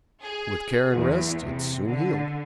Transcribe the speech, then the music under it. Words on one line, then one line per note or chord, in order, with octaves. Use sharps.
With care and rest, it soon healed.
G#4
E2
C3
D3